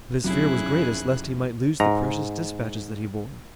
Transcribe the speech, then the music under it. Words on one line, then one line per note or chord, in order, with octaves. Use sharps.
But his fear was greatest lest he might lose the precious dispatches that he bore.
F1 F#3 C4 C#4 E4 G#4 F#6
G#2 A#5